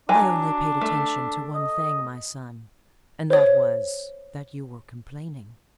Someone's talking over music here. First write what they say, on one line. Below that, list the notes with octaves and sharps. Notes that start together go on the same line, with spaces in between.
"I only paid attention to one thing, my son, and that was, that you were complaining."
F#3 D4 G#5
A3
D#5
C5 C#5